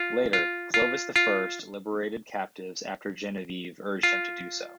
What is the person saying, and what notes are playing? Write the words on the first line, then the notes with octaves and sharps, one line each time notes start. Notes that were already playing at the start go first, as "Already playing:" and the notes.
Later, Clovis I liberated captives after Genevieve urged him to do so.
Already playing: F4
F4
F4
F4
F4